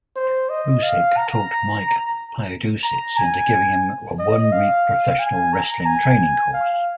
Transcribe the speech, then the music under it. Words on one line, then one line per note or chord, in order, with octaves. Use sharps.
Busick talked Mike Paidousis into giving him a one-week professional wrestling training course.
C5
D#5
F5
A#5
A#5
G#5
D#5
F5
G#5
A#5
G#5
F5